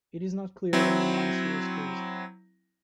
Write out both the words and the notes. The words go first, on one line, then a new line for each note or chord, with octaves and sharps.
It is not clear when the monastery was closed.
F#3 C4 E4